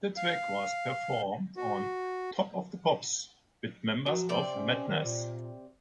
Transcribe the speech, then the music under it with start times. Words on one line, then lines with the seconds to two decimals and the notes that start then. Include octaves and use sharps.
The track was performed on "Top of the Pops" with members of Madness.
0.17 F5
1.57 F#4
4.06 F3 F#3
4.29 C3 C4 D5
4.54 C#4
4.88 D#3
5.04 A#2